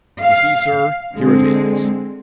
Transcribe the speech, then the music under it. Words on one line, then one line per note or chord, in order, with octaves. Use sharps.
You see, sir, here it is.
F5
D3 G#3 C4